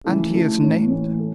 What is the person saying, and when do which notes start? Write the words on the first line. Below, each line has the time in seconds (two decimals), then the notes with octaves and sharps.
"And he is named?"
0.04 C#3 E3 A3 E4 A4
0.34 C#3 E3 A3 E4 A4
0.62 A2 E3 C#4
0.91 A2 E3 C#4
1.19 A4